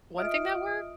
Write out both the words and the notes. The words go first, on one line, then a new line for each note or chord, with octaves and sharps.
One thing that worked
F4 D#5 E5 D#6 F6 D7